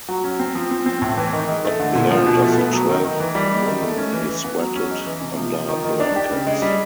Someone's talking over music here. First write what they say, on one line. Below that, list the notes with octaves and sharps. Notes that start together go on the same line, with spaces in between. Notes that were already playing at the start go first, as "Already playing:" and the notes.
At the end of the twelfth moon he sweated under blankets.
F#3
C#4
C4
F3
C4
C4
A2
E3
D#3
G#3
A3
D3
A#2
F3
B2
A3
B3
F#3
D#3
D#3
E3
G3
G#3
D#3
A3
C#4
E3
E3
B3
F#3
C#4
G#3
E3
C3
F3
F3
D#3
D#3
D4
G4
C#3
G#3
G3